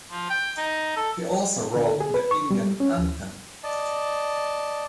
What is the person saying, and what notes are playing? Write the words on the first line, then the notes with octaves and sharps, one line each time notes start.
He also wrote the Indian anthem.
F3
G5
D#4
A4
D3
G#4
B4
C#6
G3
C#4
D#2
D5 D#5 A5